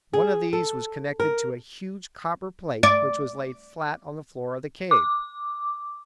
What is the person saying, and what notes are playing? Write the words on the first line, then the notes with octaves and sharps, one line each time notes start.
One of these was connected to a huge copper plate which was laid flat on the floor of the cave.
G#4
A4
A#4
D5
D6